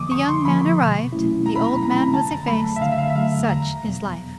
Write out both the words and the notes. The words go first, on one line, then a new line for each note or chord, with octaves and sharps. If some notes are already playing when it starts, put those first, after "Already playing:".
The young man arrived, the old man was effaced; such is life.
Already playing: D3 F3 A#3 D6 D#6
D3 C#6
C6
F3 A#3 B5
B5
B2
F#3 A3 C#4 E4
B2 A#5
B5
A#5
B5
F#3 A3 C#4 E4 A#5
B5
A#5
D3 A5
A#5
F#3 A3 B5
B5
E5
D3 F5
E5
F5
E5
F#3 A3 F5
E2 A#5
B2 F#3 B3